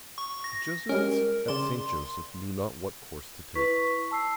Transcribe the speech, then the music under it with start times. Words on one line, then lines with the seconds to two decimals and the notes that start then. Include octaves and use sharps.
The Jesuits at St. Joseph knew not what course to take.
0.18 C#6
0.44 A#6
0.89 G3 G#3 C#4 A#4
1.48 C#3 D5 C6 E7
3.55 E4 B4 C#6 B6
4.11 A5 E6 C7